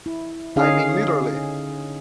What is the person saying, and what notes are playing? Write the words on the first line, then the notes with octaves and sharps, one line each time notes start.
I mean literally.
E4
D3 C#4 D#4 G#4 F5